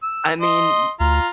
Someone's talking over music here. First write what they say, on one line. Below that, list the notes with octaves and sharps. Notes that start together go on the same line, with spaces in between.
I mean,
E6
D#5 C6
D2 F4 A#5